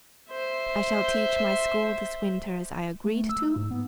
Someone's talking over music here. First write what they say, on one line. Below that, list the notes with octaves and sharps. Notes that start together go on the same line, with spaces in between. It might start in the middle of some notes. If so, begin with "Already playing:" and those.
I shall teach my school this winter as I agreed to.
C5 E5
A3
E6
D#4
G#2
B3